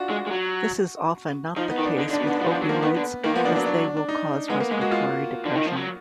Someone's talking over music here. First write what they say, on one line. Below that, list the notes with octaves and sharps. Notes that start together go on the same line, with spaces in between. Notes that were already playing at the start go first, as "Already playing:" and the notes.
This is often not the case with opioids as they will cause respiratory depression.
Already playing: D4 F4 F#4
G#3
G#3
F#3
F3 D#4
B3
D#3
D4
D3 D#4
D3
D4
B2
D3 B3
F3 B3
F#3
F3
D4
F#3
F3 A#3
D#3 B3
D3
D#3 A#3
F3 B3
F3 D4
F#3 D4
D4
D4
D#4
G#3 B3
A#3
G#3 B3
F#4
F4
D3
D#3
F3
F#3